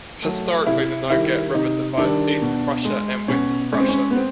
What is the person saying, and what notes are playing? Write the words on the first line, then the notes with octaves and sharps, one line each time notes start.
Historically the Nogat River divides East Prussia and West Prussia.
F#3 A3
C3 E4
D#3 G3 E4
C3 D#4
D#3 G3 D4
B2
G#3
B2 C#4
G#3 C#4
C4
C#4
B3
C4